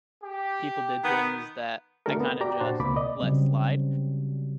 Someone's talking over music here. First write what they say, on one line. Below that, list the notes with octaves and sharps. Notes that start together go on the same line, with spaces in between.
people did things that I kinda just let slide.
G4
D#3 B3
D3 A3 D4 F#4 A4 A#4
B3
F#4 G4 D5 G5 A#5 D6
A#2 D4 F#4 C5 A5
C#2 B2 A#3 C4 B5 D6
D5 D#5
C#3 F#3 G3 C4